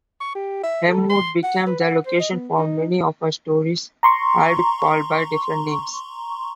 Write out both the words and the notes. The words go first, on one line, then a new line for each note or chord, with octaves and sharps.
Elmwood became the location for many of her stories, albeit called by different names.
C#6
G4
E5
A4
C6
F#5
B4
F#5
C5
D#5
B3
D#4
A#5 C6 C#6